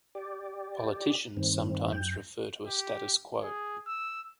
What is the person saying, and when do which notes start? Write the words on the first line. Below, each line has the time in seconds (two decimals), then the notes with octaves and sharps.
Politicians sometimes refer to a status quo.
0.15 G4 D5
1.37 G2 D#3 C4
1.92 F#2 G5
2.65 G4
3.42 G#4
3.87 E6